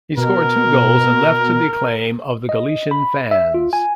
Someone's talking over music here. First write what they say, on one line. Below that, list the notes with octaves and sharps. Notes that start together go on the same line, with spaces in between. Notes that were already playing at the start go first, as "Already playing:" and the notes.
He scored two goals and left to the acclaim of the Galician fans.
B2 A#4
D#5
B5
E5
F4
G#5